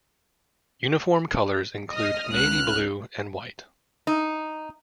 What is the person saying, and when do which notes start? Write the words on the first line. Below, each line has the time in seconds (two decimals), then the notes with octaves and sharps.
Uniform colors include navy blue, and white.
1.93 D#5 D#6 F6
2.32 C#2 F6 F#6
4.07 D#4